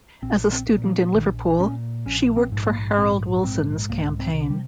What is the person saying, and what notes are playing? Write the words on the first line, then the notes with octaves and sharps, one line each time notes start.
As a student in Liverpool, she worked for Harold Wilson's campaign.
A#1 C4
C4
A#2
F3
A#1 D#3
A#2 C#4
A#1 C#4
C4
G#2
A#3
A#1 C4
G#2 C4
C2 A#3
C4
C3
G3